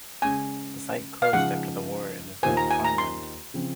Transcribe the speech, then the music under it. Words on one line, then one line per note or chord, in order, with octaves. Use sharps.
The site closed after the war and is now farmland.
C#3 G#3 C#4 G#5
F5
C#3 F3 G#3 D#4 F#5
D#2 D#3 A#3 F4 C5 G#5
A#5
G#5
A#5
C6
C#3 F3 C4